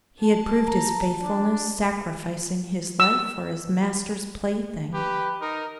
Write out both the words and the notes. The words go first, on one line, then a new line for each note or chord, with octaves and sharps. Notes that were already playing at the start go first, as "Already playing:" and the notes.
He had proved his faithfulness, sacrificing his life for his master's play-thing.
A5
A#5
D4
E6
G4 B4
D#4 A#4